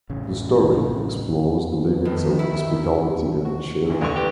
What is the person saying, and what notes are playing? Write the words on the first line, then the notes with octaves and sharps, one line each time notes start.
The story explores the limits of hospitality and sharing.
A1 C#3
B3
A2 D#3
E4 G4 A#4
C#4 D4 F#4
F#4
D2 E3
A#1 D3 E3 C#6
G4